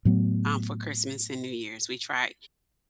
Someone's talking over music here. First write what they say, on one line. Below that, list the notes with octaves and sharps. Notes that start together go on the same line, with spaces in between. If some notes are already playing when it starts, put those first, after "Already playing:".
um, for Christmas and New Year's, we try
A2 F#3 B3